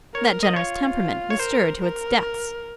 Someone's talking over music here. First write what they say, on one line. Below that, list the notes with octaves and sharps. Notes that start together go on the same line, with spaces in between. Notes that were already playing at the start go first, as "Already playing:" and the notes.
That generous temperament was stirred to its depths.
A#4 C#5
D#5
F4 C#5
C#5
A#4 C5
A#4